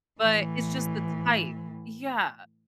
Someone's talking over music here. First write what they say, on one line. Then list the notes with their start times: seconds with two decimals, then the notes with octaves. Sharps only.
but it's just the type. Yeah.
0.21 A2 E3